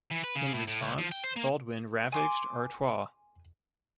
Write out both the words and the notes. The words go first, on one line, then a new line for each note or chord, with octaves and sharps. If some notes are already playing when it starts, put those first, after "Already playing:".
In response Baldwin ravaged Artois.
E3
B4
C#3
A2
A2
C#2
F3
G5
C5
A#3
G#5 C6 D6